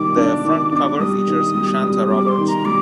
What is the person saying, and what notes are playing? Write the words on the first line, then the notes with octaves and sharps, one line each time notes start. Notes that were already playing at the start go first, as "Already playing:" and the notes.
The front cover features Shantha Roberts.
Already playing: D#3 G3 D6
D4
D#3
D4
G3 D#6
D#3
G3
G3
G3 D6
C6
D#3
A#5
G3 D6